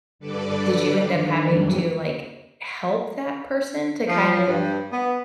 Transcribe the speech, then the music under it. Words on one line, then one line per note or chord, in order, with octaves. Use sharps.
did you end up having to, like, help that person to kind of
G2 D3 A4 B4 D5 D6
D#3 D4
F2 A2 E3 F#3 G3
F3
G2
B3